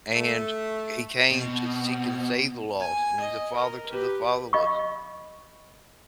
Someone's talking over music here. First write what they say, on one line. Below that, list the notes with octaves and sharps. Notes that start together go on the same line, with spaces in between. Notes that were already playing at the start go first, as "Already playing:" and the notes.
And he came to seek and save the lost, and he's a father to the fatherless.
A3
B2 C4
G#5
D#5
A#4
G4 B4
D#5 F5 B5 C#6